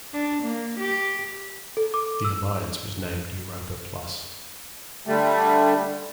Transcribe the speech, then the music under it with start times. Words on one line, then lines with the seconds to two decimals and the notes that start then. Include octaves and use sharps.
The alliance was named Europa Plus.
0.13 D4
0.43 A#3
0.80 G4
1.77 A4
1.94 D6
2.25 E6
5.07 D3 G3 A3